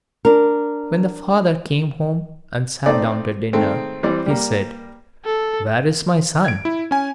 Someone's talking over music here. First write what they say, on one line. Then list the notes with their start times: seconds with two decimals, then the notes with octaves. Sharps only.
When the father came home, and sat down to dinner, he said, "Where is my son?"
0.25 D4 A#4
2.86 A3 C4 D#4 D5
3.53 D#3 G#3 A3 C4
4.03 E3 G3 C4 D5
4.26 G3 A#3
5.25 A4
6.45 G#6 D7
6.65 E4
6.91 C#4 G#5